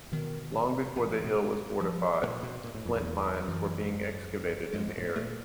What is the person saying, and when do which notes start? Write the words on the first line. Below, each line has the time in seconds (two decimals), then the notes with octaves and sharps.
Long before the hill was fortified, flint mines were being excavated in the area.
0.12 B2 D#3
0.96 A#2 E3
1.10 A2
1.24 B2
1.80 F3
2.23 A#2
2.43 B2
2.64 A#2
2.74 A2
2.85 F2
2.95 E2
3.48 F#2 E3
4.73 G2 G#3
4.88 G#2
4.98 A#2
5.02 A2
5.16 A#2 A3